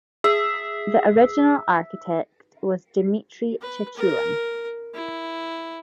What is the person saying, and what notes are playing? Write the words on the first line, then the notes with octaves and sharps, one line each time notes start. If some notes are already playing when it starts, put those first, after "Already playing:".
The original architect was Dmitry Chechulin.
G#4 E5
B4
A#4
E4